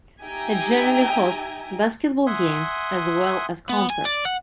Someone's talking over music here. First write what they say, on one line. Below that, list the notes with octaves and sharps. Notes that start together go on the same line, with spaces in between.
It generally hosts basketball games as well as concerts.
D#4 G4 E5 G5 G#5 A#5
E5 F#5 G#5 C6 D#6
B3
G#5
D5
F#5